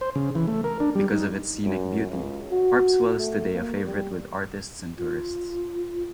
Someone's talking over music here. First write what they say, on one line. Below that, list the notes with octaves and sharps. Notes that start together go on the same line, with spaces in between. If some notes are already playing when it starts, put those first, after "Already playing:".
Because of its scenic beauty, Harpswell is today a favorite with artists and tourists.
C5
C#3
E3
A3
A#4
D4
G3
D#4
F#2
C#2
F#4
A3
A#3
G3
F4